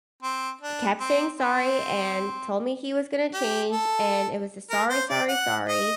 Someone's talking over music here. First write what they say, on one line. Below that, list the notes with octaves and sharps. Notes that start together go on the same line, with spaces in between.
kept saying sorry and told me he was gonna change, and it was a, "Sorry, sorry, sorry."
C4
D4
C4
C4
G4
A4
A#4
C5
D5
F#5
D#5